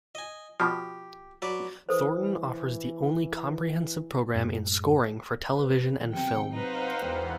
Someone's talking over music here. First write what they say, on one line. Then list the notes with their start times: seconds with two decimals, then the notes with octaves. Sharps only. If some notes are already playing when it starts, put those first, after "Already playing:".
Thornton offers the only comprehensive program in Scoring for Television and Film.
0.15 D#5 G#5
0.60 B2 F3 G4
1.42 F#3 B4 D5
1.89 E3 A4 B4 C5
4.35 F#2 A2 G#3
5.56 B4
6.13 B1 C3 G5 C#7
6.51 D#4 B4 C5 F5 F#5
7.02 E1 E3 B3 G5